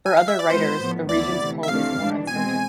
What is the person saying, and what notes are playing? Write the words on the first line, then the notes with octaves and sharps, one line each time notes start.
For other writers, the region's pull was more uncertain.
G#5
F5
E5
D5
G#3 B3 F4 B4 C5
A2 F3 B3
D2 D3 F3 B3 E4 D5
D2 C3 E3
E5
C3 E3 A3 D4 F5
A2 E3 G#3 D4
B2 G#3 C4 G#5